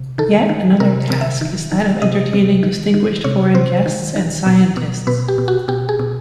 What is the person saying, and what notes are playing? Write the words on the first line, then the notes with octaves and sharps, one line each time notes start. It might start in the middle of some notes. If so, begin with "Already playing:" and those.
Yet another task is that of entertaining distinguished foreign guests and scientists.
Already playing: C3
D#3 A4
D#3
C3 A#4
C3
E5
D#3
D#3
C3 D#5
C3
D#3
D#3
C3 C#5
C3 C5
D#3
D#3
B2
B2
B2 B4
G4
B2
F#4
B2 G4
G#4
B2